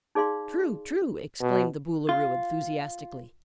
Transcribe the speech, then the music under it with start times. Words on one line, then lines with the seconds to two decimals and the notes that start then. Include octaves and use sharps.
"True--true!" exclaimed the Boolooroo, enthusiastically.
0.15 D#4 G#4 D5 F5 C6
1.40 B2
2.09 F4